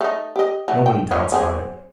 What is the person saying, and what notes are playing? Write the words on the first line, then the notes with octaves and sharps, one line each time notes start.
Nobody doubts about it.
A3 D#4
G4 D#5
E3 F#3 A3
G5
F3 C#4 D#4
F#3 C4 G#4